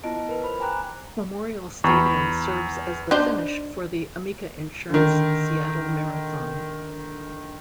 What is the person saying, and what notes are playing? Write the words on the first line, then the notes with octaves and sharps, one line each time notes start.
Memorial Stadium serves as the finish for the Amica Insurance Seattle Marathon.
B3 E4 F4 D#5 A5 D7
A#4 B4
C5 B5
G5 G#5 A#5 D6 F#6
E2 B5 C#6
D4 D#4 C5
D3 D#3